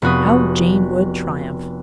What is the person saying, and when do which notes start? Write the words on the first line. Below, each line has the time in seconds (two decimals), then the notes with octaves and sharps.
How Jane would triumph!
0.02 F1 B3 F#4 D#6